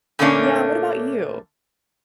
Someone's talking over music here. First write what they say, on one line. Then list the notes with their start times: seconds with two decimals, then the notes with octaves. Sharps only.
Yeah, what about you?
0.19 A#2 D3 A3 A#3 C#4 D4